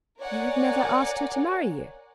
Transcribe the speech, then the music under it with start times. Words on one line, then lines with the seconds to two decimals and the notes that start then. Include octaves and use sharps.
"You have never asked her to marry you?"
0.19 A#4 C#5 D5 F#5 G#5 A#5